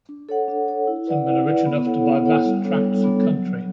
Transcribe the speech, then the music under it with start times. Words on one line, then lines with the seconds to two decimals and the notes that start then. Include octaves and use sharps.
Some men are rich enough to buy vast tracts of country.
0.09 D4
0.29 A4 C#5 F#5
0.48 D4
0.68 A4 C#5 F#5
0.87 E4
1.07 B4 D5 F#5
1.27 E4
1.46 B4 D5 F#5
1.66 B3
1.86 E4 A4 C#5 F#5
2.06 B3
2.25 E4 A4 C#5 F#5
2.45 G3
2.64 B3 D4 A4 C#5
2.85 G3
3.04 B3 D4 A4 C#5
3.23 F#3